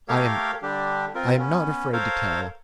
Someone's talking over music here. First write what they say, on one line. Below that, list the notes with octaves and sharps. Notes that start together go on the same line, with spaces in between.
I am--I am not afraid to tell.
A3 G4 A4 A#4 C#5 F5
D3 G3 D4 G4
C4 F4 A#4
B3 C#4
A4 A#4 C5 C#5 F5